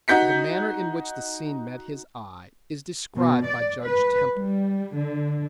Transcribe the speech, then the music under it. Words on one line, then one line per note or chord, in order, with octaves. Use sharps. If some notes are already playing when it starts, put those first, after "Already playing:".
The manner in which the scene met his eye is described by Judge Temple.
D#4 F#4 G6 B6 C#7
B2
D5
B4
G3
D3